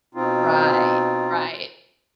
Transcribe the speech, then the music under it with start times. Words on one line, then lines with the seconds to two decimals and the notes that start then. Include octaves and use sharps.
Right, right.
0.15 B2 C4 D#4 F4